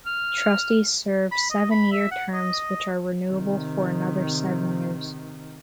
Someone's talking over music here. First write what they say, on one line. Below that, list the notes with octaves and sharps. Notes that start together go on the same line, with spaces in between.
Trustees serve seven-year terms, which are renewable for another seven years.
F6
B5
D#5
B5
E5
F#5
D#5
C3 D#3